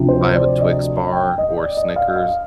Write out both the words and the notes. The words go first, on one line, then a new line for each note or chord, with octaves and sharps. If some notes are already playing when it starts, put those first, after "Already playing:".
if I have a Twix bar or Snickers
Already playing: D2 C3 F3
C5
D5
D#5
G5
D#5
D5
D#5
F5
F5